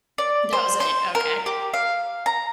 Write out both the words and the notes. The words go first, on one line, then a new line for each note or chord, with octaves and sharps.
That was it, okay.
D5
C5
C5
A#4
G4
F5
A#5